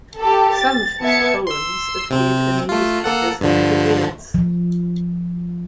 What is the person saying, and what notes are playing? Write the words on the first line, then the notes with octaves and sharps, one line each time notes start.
Some of his poems appeared in newspapers and magazines.
G4 A4
A6
B3 E5 A5 G#6 C#7
C6 E6
C3 C4
A3 F4
A#3 A4 F#5
G2 D3 F3
F3